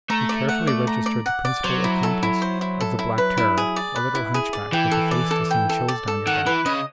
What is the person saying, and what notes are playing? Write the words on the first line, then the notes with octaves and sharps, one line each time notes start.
We carefully registered the principal accomplice of the 'Black Terror,' a little hunchback with a face to send chills down your back.
A3 A#5
D5
F#5
D5
A#5
D5
F#5
D5
F#3 C5
E4
A4
E4
C5
E4
A4
E4
B4
E4
G#4
D5
B4
E4
G#4
D5
E3 G5
A4
D5
A4
G5
A4
D5
A4
D#3 F#5
E3 B4
C#3 D#5